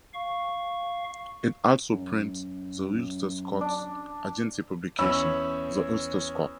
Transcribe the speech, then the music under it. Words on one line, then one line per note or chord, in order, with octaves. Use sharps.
It also prints the Ulster-Scots Agency publication, The Ulster-Scot.
F5 C#6
F#2
D4
E2 C#4 C#5 B5 E6